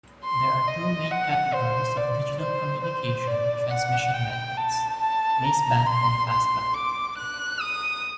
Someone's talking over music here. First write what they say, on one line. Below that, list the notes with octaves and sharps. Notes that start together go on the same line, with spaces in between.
There are two main categories of digital communication transmission methods: baseband and passband.
C6
D#5
F#5
C5
D5
C5
C5
D5
F#5
G5
A5
A5
A#5
C6
C6
D6
F#6
D#6